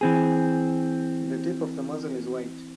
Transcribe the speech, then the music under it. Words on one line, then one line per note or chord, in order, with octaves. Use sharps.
The tip of the muzzle is white.
E3 C4 G#4